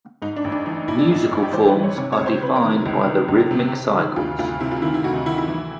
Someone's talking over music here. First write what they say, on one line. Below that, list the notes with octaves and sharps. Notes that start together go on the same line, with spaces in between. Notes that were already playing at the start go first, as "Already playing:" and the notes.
Musical forms are defined by the rhythmic cycles.
G#2 D#4
D4
A1
D4
E3 D#4
A1 E4
D4
G#2 D#4
A1
G4
E3 C5
B4
E3
C#5
C3 C#5
C#5
C#2
C5
C3 B4
A#4
D#3
E4
C#2 E4
D#3
C#2
C3
C3
D#3
D2 F4
D2 F4
C3 E4
F4
D#3 E4
E4
D2 F#4
D#4
D#3 E4
E4
E3